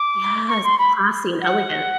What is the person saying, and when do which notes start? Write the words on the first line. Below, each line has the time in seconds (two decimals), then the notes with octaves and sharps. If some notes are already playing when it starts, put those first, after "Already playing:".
Yes, it's classy and elegant.
Already playing: D6
0.48 C#6
0.64 C6
0.79 B5
1.42 F#5